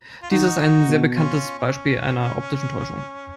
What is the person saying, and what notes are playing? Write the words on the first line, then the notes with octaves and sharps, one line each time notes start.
Dies ist ein sehr bekanntes Beispiel einer optischen Täuschung.
F4
D#3 D#4 F#4
B2
C#4 F4
C#4